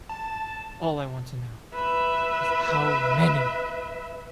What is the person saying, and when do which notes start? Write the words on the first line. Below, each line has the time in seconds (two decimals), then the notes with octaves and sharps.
All I want know is how many.
0.09 A5
1.74 B4 E5